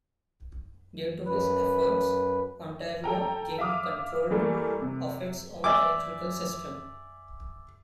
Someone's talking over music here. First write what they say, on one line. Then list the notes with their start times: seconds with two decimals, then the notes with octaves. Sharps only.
Due to his efforts, Ontario gained controlled of its own electrical system.
1.26 F#2 B4
3.04 A4 G5 A#5
3.58 E5 F5 D6 D#6
4.31 E3 G3 A3 A#3
4.82 C3
5.64 D5 E5 G#5 D6